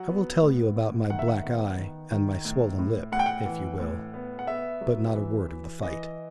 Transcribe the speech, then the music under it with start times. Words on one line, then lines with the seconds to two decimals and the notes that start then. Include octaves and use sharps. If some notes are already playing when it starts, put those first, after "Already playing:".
I will tell you about my black eye, and my swollen lip, if you will; but not a word of the fight.
Already playing: F#3 F#5
0.09 B3
0.42 A2
0.76 A2
1.10 D#3 F#5
1.19 E5
1.28 F#5
1.44 B3
1.78 D#3
2.11 D#3
2.45 A2
2.79 A2
3.12 A2 F#5
3.19 G5
3.26 F#5
3.46 E3
3.80 A2
4.14 B3
4.39 F#5
4.47 B3 E5
4.81 F#3
5.15 E3
5.48 E3
5.82 E3 D#5